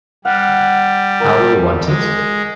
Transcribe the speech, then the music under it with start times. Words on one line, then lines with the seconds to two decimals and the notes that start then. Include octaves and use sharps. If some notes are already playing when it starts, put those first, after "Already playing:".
How You Want It?
0.25 G3 F#5 F6
1.20 A#4 G#5
1.87 G#3